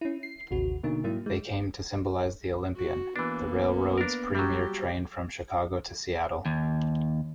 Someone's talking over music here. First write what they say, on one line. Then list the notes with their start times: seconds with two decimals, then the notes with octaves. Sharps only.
They came to symbolize the "Olympian", the railroad's premier train from Chicago to Seattle.
0.01 C#4 E4
0.23 C7
0.51 A1 D#2 C3 F#4
0.83 B2 D3 A#3 D#4
1.04 G#2 F#3 A#3 E4
1.26 G#3
2.75 F#4
3.16 E3 A#3 B3 D4
3.98 D4 A#4
4.35 F#3 G3 G4
6.46 D#2